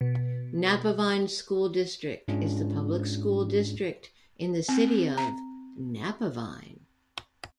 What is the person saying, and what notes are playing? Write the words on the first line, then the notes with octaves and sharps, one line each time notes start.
Napavine School district is the public school district in the city of Napavine.
B2
G#2 G#3 C#4 D4 F4 G#4
C4
A#5